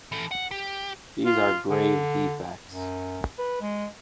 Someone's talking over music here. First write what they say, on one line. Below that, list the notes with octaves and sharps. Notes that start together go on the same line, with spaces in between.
These are grave defects.
E3 A4
F#5
G4
F4
D3
F#2
B4
G#3